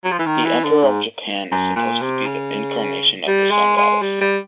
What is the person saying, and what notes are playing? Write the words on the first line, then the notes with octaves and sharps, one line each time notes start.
The Emperor of Japan is supposed to be an incarnation of the sun goddess.
F#3
F3
E3
D#3
E3
D3
G#2
F#2
A#2
C3
C#3
G3
G#3
G#3
G3
G3